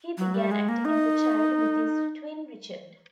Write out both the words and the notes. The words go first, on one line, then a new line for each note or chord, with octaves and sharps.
He began acting as a child with his twin Richard.
F#3
G3
G#3
A#3
D#4